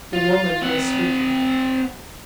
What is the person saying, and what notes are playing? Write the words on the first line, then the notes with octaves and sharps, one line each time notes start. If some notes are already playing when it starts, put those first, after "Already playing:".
The woman was speaking.
F4
C4 F#5